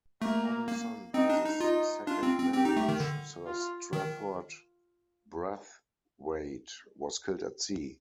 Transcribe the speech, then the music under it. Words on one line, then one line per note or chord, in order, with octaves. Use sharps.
His only son by this second marriage, Sir Strafford Brathwait, was killed at sea.
A3 A#3
A#3
C4 D#4
D4
D#4
D#4 F4
D4 F4
C4
C4
C4 G4
D#4
A3
D#3
D3
F4
D#3